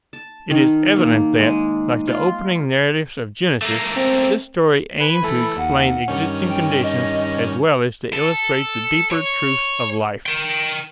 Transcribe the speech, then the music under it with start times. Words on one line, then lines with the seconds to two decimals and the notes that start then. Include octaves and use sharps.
It is evident that, like the opening narratives of Genesis, this story aimed to explain existing conditions, as well as to illustrate the deeper truths of life.
0.13 A5
0.51 D#3
0.96 A#3
1.38 G#3
2.08 F4
3.62 A3 A#3
3.96 C4
5.00 B4 G#5 B5
5.23 E3 A3 A4
5.57 D#2 F#5
6.08 G2 D#3 C#4
6.49 G5
6.83 D#5
8.13 A4
9.11 C#5
10.26 A#4 G5